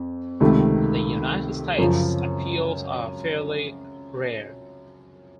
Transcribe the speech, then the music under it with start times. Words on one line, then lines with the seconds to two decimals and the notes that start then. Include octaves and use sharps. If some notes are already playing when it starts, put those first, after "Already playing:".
In the United States, appeals are fairly rare.
Already playing: F2
0.40 C#2 C3 D#3 A3
1.78 F#2 C#3 F3